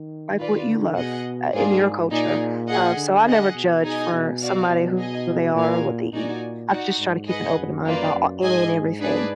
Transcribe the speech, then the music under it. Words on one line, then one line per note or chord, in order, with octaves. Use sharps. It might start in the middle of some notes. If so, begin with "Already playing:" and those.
like, what you love, uh, in your culture, um, so I never judge for somebody who they are or what they eat, I just try to keep an open mind about any and everything.
Already playing: D#3
F4 B4 D5
D3
B2 G#4 D#5 F#5
G#2 A#3 D4 F4 G#4 D5
A#2 D#4 G#4 D5
G#4 D#5 F#5
D3
G#4 D#5 F#5
B2
D#4 G#4 D#5 G#5
B2
F#4 D5 F5
B2
D#4 G#4 D#5 G#5
A#2 F#4 A#4 F5 G#5
A#2 D#4 F#4 D5 G#5
D#4 F#4 D5 F#5
G#2
G#4 B4 D#5 F#5
F#2
A#3 F4 B4 D5
F#2
G#2 G#4 D#5 G#5
D4 G#4 B4 D5